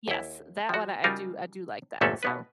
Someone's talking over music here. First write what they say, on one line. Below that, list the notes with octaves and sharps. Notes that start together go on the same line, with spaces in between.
yes, that one I do I do like that. So,
D#2 E4
F3 F#4
C#3 G3 D#4 F4 F#4 A#4
G1 E2 A#2 A3 C#4 A4
B2 B3 B4